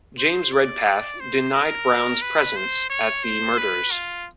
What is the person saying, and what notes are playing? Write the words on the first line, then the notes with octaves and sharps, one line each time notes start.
James Redpath, denied Brown's presence at the murders.
C5
D5
C5
A#4
B4
C5
C#5
C5
B4
F4